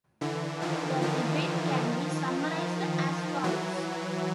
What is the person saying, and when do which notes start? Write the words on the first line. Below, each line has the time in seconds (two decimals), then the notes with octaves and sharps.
The debate can be summarised as follows.
0.21 D3 E3
0.61 D#3 F3
1.02 D#3 F3
3.44 E3 F#3